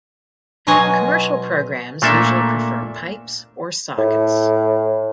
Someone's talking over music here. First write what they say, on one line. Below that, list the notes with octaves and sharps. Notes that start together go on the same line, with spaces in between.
Commercial programs usually prefer pipes or sockets.
B2 F#3 F4 D#5 G#5
A#2 A3 A#3 D4 A4 E5
A2